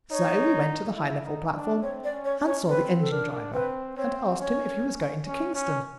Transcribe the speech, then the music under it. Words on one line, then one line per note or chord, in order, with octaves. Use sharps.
So we went to the high-level platform, and saw the engine-driver, and asked him if he was going to Kingston.
D#4 C#5
E4
D#4
D4
C4 C#5
D5
C#4
C#5
C#4
C#5
C4 B4
A4
D4 A#4
C4 B4
C4 C#5
C#4 C#5
C#4
C#4